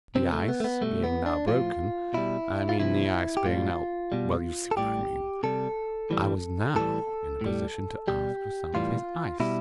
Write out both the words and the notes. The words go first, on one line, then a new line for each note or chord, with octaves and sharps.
The ice being now broken--I mean the ice being now--well, you see what I mean--I was now in a position to ask for some of his ice.
C3 F3 C4
A3
B3
A3
B3
B2 G3 A3
B3
D4
A2 F3 F4
B2 G3 E4
F4
C3 F3 E4
G4
A2 G3 F4
B2 G3
A4
A2 G3 G4
C3 G3 A4
A2 E3 G3
A2 E3 G3 A4
A2 G3
B2 G3 G4
A2 E3 G3 F4
B2 G3 E4